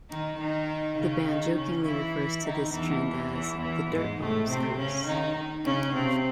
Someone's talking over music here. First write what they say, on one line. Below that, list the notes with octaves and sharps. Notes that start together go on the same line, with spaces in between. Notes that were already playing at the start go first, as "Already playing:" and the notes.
The band jokingly refers to this trend as "The Dirtbombs Curse".
D#3 D#4
D#3 D#4
C#3 C#4
D#3 D#4
C#3 C#4
E3 E4
D#3 D#4
E2 E3
E2 E3
E2 E3
G#2 G#3
A2 A3
C3 C4
C#3 C#4
D#3 D#4
C#3 C#4
C3 C4